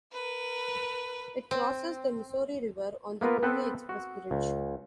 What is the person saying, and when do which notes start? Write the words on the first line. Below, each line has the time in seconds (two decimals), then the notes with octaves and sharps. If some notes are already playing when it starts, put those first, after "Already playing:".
It crosses the Missouri River on the Pony Express Bridge.
0.13 A#4 B4
1.51 C4
3.21 A#3 B3 F4 A#4 B4
3.43 B3 C4 A4 B4 F#5 G5
3.89 F#4
4.31 C#2